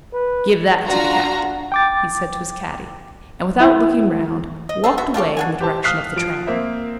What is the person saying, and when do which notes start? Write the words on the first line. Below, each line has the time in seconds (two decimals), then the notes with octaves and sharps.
"Give that to the Captain," he said to his caddie, and without looking round, walked away in the direction of the tram.
0.13 B4
0.87 D4 F4 F#4 A#5
1.72 G5 D6 A6
3.61 E4
4.69 D#5
4.84 A3 G#4 A4
4.98 B3 F#4 E5
5.14 A3 F4 G4 C#5
5.37 D4 F#5 G#5
5.60 G4 C5 A5
5.84 F5 D#6 F6 F#6 B6 C7
6.16 F3 D7
6.47 A#3 C4 E5